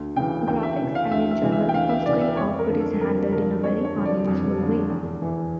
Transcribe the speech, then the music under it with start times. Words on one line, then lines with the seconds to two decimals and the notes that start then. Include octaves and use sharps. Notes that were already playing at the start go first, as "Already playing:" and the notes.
Graphics and in general all screen output is handled in a very unusual way.
Already playing: D2
0.16 C#3 E3 G5
0.47 D2 G5
0.63 E5
0.80 C#3 E3
0.95 F5
1.11 D2 E5
1.31 E5
1.42 C#3 E3
1.52 E5
1.69 G5
1.74 D2 F5
1.89 E5
2.06 C#3 E3 D5
2.21 E5
2.37 F2 C#5
2.59 A#4
2.69 D3 F3
2.79 A4
3.01 F2 A#4
3.32 D3 F3 A#4
3.63 F2 C#5
3.85 C#5
3.95 D3 F3
4.05 D5
4.27 F2
4.58 D3 F3
4.89 E2
5.22 E3